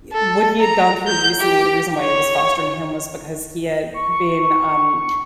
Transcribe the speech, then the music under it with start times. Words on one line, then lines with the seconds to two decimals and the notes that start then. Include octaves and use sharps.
eh, what he had gone through recently, the reason why he was fostering him was because he had been, um
0.13 A4
0.59 A#5
1.07 G6
1.40 G4
1.99 C#5
3.94 C#6